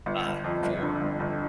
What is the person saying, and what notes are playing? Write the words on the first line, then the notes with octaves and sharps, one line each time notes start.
uh, for
G1
G1
F2
G1
D3
G1
G1